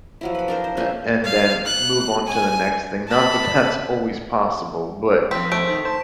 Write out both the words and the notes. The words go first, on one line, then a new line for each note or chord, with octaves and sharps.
a and then move on to the next thing, not that that's always possible, but
F3 F#3 E4
B4 B5
D4 A#4 C5
C5
A#3 C#4 F4 E5
F5
F#6
G#5
A5 B5
F2 C4 B6
A3 C5 D7
D#4 A#4
C5 A5